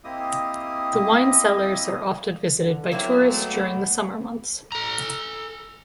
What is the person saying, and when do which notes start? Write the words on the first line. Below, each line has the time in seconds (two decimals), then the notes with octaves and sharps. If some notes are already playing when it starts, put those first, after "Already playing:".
The wine cellars are often visited by tourists during the Summer months.
0.04 A#3 C4 E4 G4 D#5 D#6
2.61 D3
2.92 F#3 A#3 C4 C#4 E4
3.27 G#3 A3 B3
4.72 A4 A#5